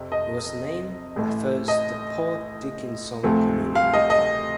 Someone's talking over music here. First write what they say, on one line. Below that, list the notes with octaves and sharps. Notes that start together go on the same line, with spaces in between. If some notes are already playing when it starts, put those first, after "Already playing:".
It was named, at first, the Port Dickinson Community Park.
Already playing: F2 C3
D#5
A1 A2 A3
D#5
D2 C3 F3 A3
F5
D#5
D#5